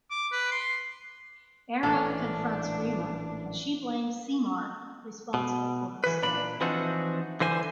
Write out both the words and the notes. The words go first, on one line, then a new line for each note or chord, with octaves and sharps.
Aarav confronts Reema and she blames Simar responsible for her stare.
D6
B4
C6
A1 A#2 A3 A#3 D4 A4
B2
E3 B4
A#2 D4 B5
E3 F3 C4 D4 D#4 F#4
D3 E3 C5 G#5